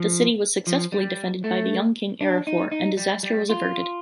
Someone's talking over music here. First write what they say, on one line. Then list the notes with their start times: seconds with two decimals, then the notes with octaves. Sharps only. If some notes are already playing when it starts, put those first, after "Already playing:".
The city was successfully defended by the young King Araphor, and disaster was averted.
Already playing: F3
0.67 F3
0.92 G3
1.44 A3
2.21 D4
2.47 D#4
2.72 D#4
2.97 G3
3.23 G3
3.49 F4